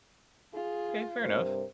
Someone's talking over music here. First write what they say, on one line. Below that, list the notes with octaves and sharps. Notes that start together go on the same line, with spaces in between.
Okay. Fair enough.
F4 G#4
G2 C3 A#4 C5